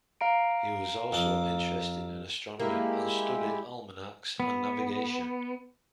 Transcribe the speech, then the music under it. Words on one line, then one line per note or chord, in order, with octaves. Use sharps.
He was also interested in astronomy and studied almanacs and navigation.
F5 A#5 D7
F2 A5
G#3 A#3 E4 G4
B3